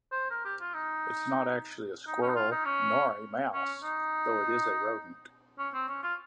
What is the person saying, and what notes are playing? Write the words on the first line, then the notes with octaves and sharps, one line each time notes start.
It is not actually a :squirrel, nor a :mouse, though it is a rodent.
C5
A#4
G4
F4
D#4
D#4
C#4
D#4
F4
D#4
C#4
C#4
D#4
C#4
C4
C#4
F4